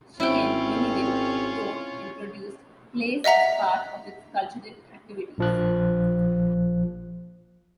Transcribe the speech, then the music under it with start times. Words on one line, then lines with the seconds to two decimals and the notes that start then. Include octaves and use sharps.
She and Milligan wrote and produced plays as part of its cultural activities.
0.20 G#1 C4 C#4 E4 F4 G5
3.24 D#5 E5 F#5 A#5 B6
5.38 A#1 F3 F#6